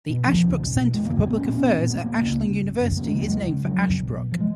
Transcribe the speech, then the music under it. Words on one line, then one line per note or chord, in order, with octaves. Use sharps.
The Ashbrook Center for Public Affairs at Ashland University is named for Ashbrook.
B2
F1 F3
D#2 C#3
B1
B2
F1 G#3
A#3
F2 C#3
A#3
A#1 B3
C#4
A#2 B3
C#4
B1 B3
A#2
B3
F1 A#3
D#2 C#3
C#2
C#3
G#1
F#2 C#3
F1 A#3
G#3
D#2 C#3 F#3
C#2 G#3
C#3
F1 F#3
F2 C#3
B1
B2
F3
G#3